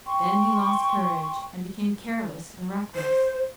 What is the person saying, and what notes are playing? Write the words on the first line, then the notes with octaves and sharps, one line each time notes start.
Then he lost courage, and became careless and reckless.
G5 C6 C#6
C5